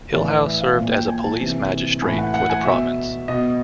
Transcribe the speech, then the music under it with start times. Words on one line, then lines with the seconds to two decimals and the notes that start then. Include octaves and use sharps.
Hillhouse served as a police magistrate for the province.
0.13 A2 E3 D5
0.45 E5
0.61 F5
0.76 A#2 F3
0.92 G5
1.08 G#5
1.23 A5
1.40 C3 E3
2.02 A2 E3 G#5
2.18 F#5
2.34 F#5
2.50 G#5
2.65 B2 E5
3.28 B2 D#5